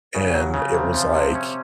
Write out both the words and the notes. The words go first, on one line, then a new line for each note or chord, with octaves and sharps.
and it was like
C#3
F#3
C#3
C3
F3
C3
C#4